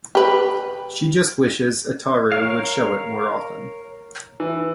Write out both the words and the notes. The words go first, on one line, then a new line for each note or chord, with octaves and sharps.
She just wishes Ataru would show it more often.
G4 B4
A#4 C#5 F5
E3